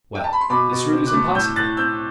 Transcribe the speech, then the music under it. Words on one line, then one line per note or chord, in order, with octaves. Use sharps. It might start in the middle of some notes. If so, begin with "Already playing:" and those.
"Well, this route is impossible."
G5
A5
B5
C6
B2 B5 D6
B2
C4
D6 F#6
A3
A2 E6 G6
A2 F#6 A6
C4 E6 G6